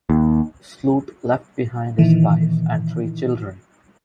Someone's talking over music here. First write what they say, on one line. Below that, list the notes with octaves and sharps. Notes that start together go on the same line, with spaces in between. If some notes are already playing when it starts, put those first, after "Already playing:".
Sloot left behind his wife and three children.
D#2
A#2 D#3 E3